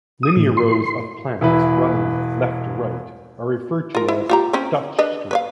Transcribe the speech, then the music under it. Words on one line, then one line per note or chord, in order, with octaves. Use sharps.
Linear rows of plants running left-to-right are referred to as "Dutch streets".
D#6
A2
C6
E1 E3 E4 B4
F4 A#4
E4
F4 G4 A#5
C4 C#4
D4 B4 D#5
B4 C#5 F5